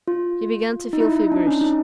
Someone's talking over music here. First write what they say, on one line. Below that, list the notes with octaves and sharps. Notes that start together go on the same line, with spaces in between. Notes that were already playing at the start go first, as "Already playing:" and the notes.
He began to feel feverish.
F4
D#4
E4
D#4
D4
C#4
D#4